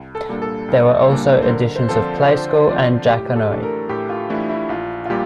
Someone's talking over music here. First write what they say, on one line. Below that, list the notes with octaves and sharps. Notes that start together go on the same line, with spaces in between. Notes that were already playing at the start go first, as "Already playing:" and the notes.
There were also editions of "Play School" and "Jackanory".
Already playing: C2
A4
A#2 G3 A#3 D4
A4
C2
A#2 G3 A#3 D4
C5
D3 A#4
C5
F3 C4 F4 A4 C5
D5
D5
D3 C5
F3 C4 F4 A4 D5
A2 G4
A4
E3 A3 D4
A#4
A2 G4
F4
E3 A3 D4 E4
E4
A#1 F4
F4
A#2 G3 G4